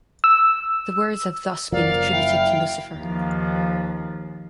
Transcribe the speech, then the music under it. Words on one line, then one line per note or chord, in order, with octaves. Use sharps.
The words have thus been attributed to Lucifer.
E6
F#1 F3 F#3 A#4 D5 F5
E4 G5
D#2 F3